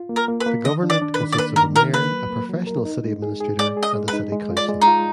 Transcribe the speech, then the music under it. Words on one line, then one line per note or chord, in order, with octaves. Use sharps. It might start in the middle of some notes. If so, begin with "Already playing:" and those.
The government consists of a mayor, a professional city administrator, and a city council.
Already playing: F4
A#3
A#4
A#3
B4
A#3
D#3 D#5
D4
D5
D4
B4
D#3
D5
A#3 B4
D#3 A#4
D#3 A#4
A#3 B4
F#3
A#3
F#3
A#4
D#4
G#3
G#4
G#4
G#3 D5
G#4
D#5
G#3
B4
D#4
G#3
F4
D5
G#3
D#4
F4